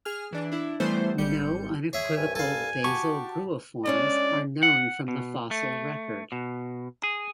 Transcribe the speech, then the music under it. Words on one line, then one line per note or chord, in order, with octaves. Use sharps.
No unequivocal basal gruiforms are known from the fossil record.
G#4 F6
E3 D4
D4 E4
E3 G3 A3 B3 C5
G#1 G3 G6 C#7
G#4 C#5 E5
C2 G2 G#5
A4 F5 G#5
F#4 G4 G5 A5 C#6
G#3 C#4 D4 D5
F#5
B2
A3
B2
G#4